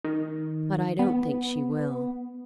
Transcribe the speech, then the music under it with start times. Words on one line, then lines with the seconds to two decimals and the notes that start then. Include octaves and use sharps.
"But I don't think she will."
0.04 D#3
0.99 B3